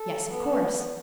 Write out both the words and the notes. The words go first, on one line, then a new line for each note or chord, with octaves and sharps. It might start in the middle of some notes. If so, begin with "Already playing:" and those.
"Yes, of course."
Already playing: A4
B3